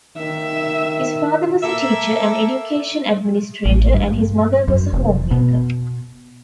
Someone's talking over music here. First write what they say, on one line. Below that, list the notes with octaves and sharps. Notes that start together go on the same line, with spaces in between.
His father was a teacher and education administrator and his mother was a homemaker.
D#3 E5
A#3 A4 E5
A1
G2
F#2
F1
B2